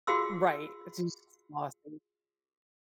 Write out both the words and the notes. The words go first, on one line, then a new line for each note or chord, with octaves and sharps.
Right, I jus exhausting.
F4 F#4 G#4 F5 C6 E6